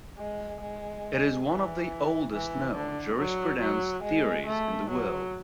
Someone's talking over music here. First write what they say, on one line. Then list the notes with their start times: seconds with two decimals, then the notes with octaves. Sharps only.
It is one of the oldest known jurisprudence theories in the world.
0.18 G#3
0.61 G#3
1.46 E3
2.32 E3
2.75 D3
3.18 F#3
3.61 F#3
4.03 G#3
4.46 A3
4.90 F#3